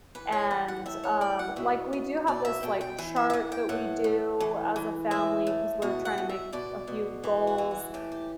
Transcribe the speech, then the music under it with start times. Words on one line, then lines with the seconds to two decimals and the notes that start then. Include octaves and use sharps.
And, um, like, we do have this, like, chart that we do as a family, 'cause we're trying to make a few goals
0.15 E3 B4
0.32 C#5
0.50 E3 F#5
0.68 F#5
0.86 A2 E5
1.04 C#5
1.21 A2 D5
1.39 F#5
1.56 B2 E5
1.93 B2
2.27 B2 D5
2.45 E5
2.63 B2 G5
2.81 G5
2.98 E3
3.16 E5
3.30 E5
3.33 E3 F#5
3.52 G5
3.69 A2 F#5
4.04 A2
4.40 E3
4.76 E3
5.11 A2 E5
5.47 A2
5.82 B2 F#5
6.05 F#5
6.18 B2
6.29 E5
6.53 B2 D5
6.88 B2
7.24 E3
7.47 F#4
7.58 E3
7.71 F#4
7.94 A2 G4
8.12 G4